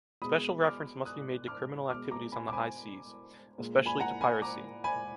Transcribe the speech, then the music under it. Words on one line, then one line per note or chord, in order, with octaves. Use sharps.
Special reference must be made to criminal activities on the high seas, especially to piracy.
B2 G#3 B5 D#6
D6 F6
D#6 F#6
D6 F6
B2 G#3 D6 F6
A#5 D6
G#5 B5
D6
G#5 B5
A#2 G#3
G#5 B5
F#5 A#5
G#5 B5
A#5 D6
G#5 B5